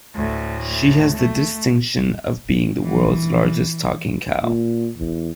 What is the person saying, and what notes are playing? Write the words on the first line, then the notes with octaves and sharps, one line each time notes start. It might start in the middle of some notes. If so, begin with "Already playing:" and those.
She has the distinction of being the World's Largest Talking Cow.
D2 A2
A3
E3
A#2
E2